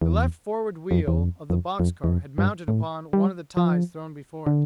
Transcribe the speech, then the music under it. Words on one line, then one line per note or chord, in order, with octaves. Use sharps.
The left forward wheel of the box-car had mounted upon one of the ties thrown before it.
E2
F2
E2
F2
F2
F2
E2
F2
G2
A2
G3
F3
D3